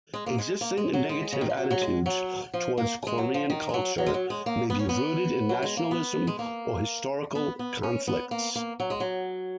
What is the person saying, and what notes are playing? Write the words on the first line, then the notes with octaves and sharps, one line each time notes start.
Existing negative attitudes towards Korean culture may be rooted in nationalism or historical conflicts.
G#3
A#3
G#3
A#3
G#3
F#3
G#3
C#3
D#3
F3
F#3
F#3
G#3
F#3
F3
A#3
G#3
F#3
F3
D#3
G#3
F#3
F#3
G#3
F#3
G#3
A#3
B3
C#4
B3
F#3
G#3
A#3
B3
G#3
A#3
B3
B3
C#4
B3
A#3
A#3
F#3
G#3
F#3